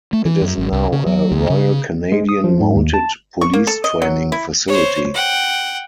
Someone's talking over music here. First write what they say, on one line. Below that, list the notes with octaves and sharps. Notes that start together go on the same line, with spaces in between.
It is now a Royal Canadian Mounted Police training facility.
A3
E3
F#2
G#1
C2
C#3
F#3
D2
C#3
G#3
D#6
F3
G#2
D#2
A5
C#6
A#3
A4
D#5
F#3
E4
C5 C#5
F#5 G5